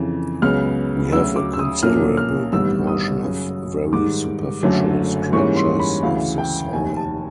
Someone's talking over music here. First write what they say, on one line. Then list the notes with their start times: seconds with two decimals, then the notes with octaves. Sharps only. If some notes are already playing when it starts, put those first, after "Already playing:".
We have a considerable proportion of very superficial scratchers of the soil.
Already playing: F2 C#3 E3
0.42 C#2 C#3 F#3 B3 F6
1.12 D2 C#3 F#3 E6
1.36 D6
1.53 E6
1.59 D#6
1.82 B1 A#2 F3 A#3 C#4 F6
2.17 F6
2.52 A1 G2 D#3 G3 B3 E6
2.87 D#6
3.23 F#2 C#3 F#3
3.92 G#2 D#3 G3 D6
4.63 F#1 F#2 D3 F#3 A3
5.33 G#2 E3 G3 A#3 C#4 C#6
5.56 C6
5.80 B5
6.03 D2 C#3 E3 F5
6.38 G5
6.73 F1 D#2 D#3 G#5
6.97 A5